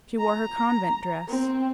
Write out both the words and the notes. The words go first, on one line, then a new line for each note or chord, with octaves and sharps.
She wore her convent dress.
A#5
C4